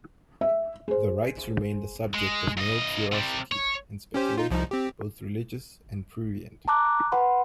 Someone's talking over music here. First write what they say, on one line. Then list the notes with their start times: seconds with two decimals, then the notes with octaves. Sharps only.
The rites remained a subject of male curiosity and speculation, both religious and prurient.
0.41 E5
0.88 G#4 C5
2.14 G#3
2.57 G2 D#5
3.13 C3 G3
3.52 C#5
4.14 C#4 G4 C5
4.38 D#4 F4
4.50 C2 F3 D#4
4.71 C4 G4
6.68 A5 A#5 D6 F#6
7.12 B4 F#5 B5 C6